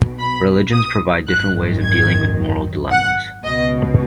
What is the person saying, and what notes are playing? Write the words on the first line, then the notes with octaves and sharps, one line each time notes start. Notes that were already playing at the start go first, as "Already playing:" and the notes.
Religions provide different ways of dealing with moral dilemmas.
Already playing: B1 B2
B5
D#6
G#1 F#2 D#3 F#6
G#6
F#5
C#2 B2 D#5